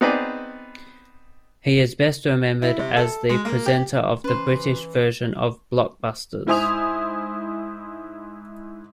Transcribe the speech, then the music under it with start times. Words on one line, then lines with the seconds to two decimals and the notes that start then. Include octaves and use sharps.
He is best remembered as the presenter of the British version of "Blockbusters".
0.01 B3 C4 D#4 G#4 B4 D5
2.62 E4
2.79 C3
2.97 A4
3.29 G#3
3.45 A#3
3.66 G4
4.24 E3 C#4 B4 C5
6.47 G#2 E4 C5 G#5 D#6 F7